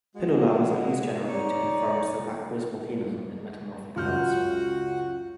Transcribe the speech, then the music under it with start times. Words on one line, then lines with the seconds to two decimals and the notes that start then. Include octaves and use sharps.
Pillow lavas are used generally to confirm subaqueous volcanism in metamorphic belts.
0.15 G#3 F#4
1.29 D#4 C#5 D5
3.96 C#2 F#2 F4 F#4 F#5 F6 G6